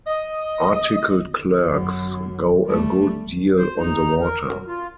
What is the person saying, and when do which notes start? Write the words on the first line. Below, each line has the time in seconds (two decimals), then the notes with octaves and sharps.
Articled clerks go a good deal on the water.
0.07 D#5
1.69 F#2
2.65 G3 A3
3.57 C5
3.77 D#4
4.21 A#4
4.41 F#2
4.67 F4